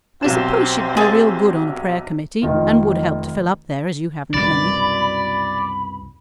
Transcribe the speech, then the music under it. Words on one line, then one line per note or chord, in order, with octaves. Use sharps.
"I suppose she'd be real good on a prayer committee, and would help to fill up there, as you haven't many."
B1 C3 C4 C5 E7
G#4 G#5 A5
F1 D#3 F4
C2 F#2 B2 D5 B5